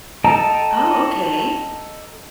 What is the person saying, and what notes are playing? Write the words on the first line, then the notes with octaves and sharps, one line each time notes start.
Oh, okay,
A4 D#5 G5 A5 A#5